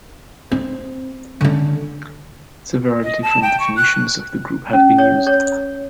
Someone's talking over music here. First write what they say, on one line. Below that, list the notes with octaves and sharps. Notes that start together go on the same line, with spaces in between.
Several different definitions of the group have been used.
C4
D3 C#4
D#5
A5
G5
C#6
F#6
C#4
C#5
C#5